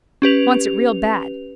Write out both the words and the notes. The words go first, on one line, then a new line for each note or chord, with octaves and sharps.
Wants it real bad.
C#4 G4 B4 F7